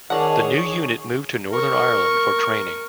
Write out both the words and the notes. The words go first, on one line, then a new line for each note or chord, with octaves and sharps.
The new unit moved to Northern Ireland for training.
D#3 G#4 C#5 D5 F#5 A5
A#4 C#6